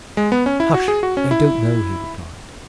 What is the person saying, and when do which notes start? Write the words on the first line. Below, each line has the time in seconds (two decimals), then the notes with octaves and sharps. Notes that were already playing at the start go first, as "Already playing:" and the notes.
"Hush, they don't know," he replied.
0.17 G#3
0.32 B3
0.46 C#4
0.60 E4
0.74 F#4
0.88 G#4
1.03 F#4
1.17 C#4
1.31 E4